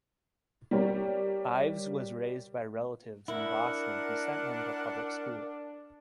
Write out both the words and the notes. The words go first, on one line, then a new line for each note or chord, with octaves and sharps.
Ives was raised by relatives in Boston who sent him to public school.
G3 G4 A#4 C#5
D4 E4 A#4 F#5